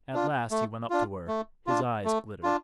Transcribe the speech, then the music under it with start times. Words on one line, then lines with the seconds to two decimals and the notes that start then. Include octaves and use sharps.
At last he went up to her; his eyes glittered.
0.14 D4 F4
0.51 A3
0.90 D4 F4
1.28 A3
1.67 D4 F4
2.05 A3
2.43 D4 F4